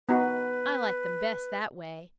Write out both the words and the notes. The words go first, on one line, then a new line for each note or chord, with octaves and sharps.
I like them best that way.
B3 D#4 F#4 B4